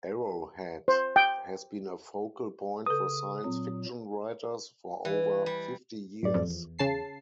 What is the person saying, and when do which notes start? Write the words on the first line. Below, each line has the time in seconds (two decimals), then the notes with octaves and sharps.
Arrowhead has been a focal point for science fiction writers for over fifty years.
0.88 C5
1.16 G5
2.86 C#3 A4 B4 D#6
3.44 A#2 F#3 C4
5.05 E3
5.46 G3
6.23 F#2 A2 D5
6.34 F2
6.48 E2
6.79 C#3 A5 C7